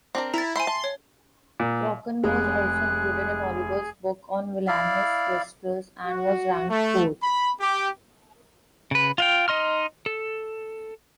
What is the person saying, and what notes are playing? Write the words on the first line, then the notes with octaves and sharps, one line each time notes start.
Vachon was also included in Oliver's book on villainous wrestlers and was ranked fourth.
C4 D4 A#4
E4 A#5 A6
E4 C5 E5 G#5 C6
A5
C#5
A#2
F1 G#3 G#4 F#6
E4 D5 F5
F#4
A3
B5
G4
C#3 B4
F4 F5 G5
D#4 D#5 C6 F6
A4